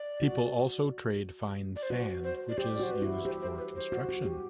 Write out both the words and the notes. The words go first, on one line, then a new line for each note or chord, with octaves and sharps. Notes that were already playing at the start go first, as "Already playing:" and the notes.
People also trade fine sand which is used for construction.
Already playing: D5
F#4
D5
C5
F#4 B4
C5
D5
G4 C5
D5
F#4 C5
B4
E4
G4 C5
C5
B4
C5
F#4
F#4
G4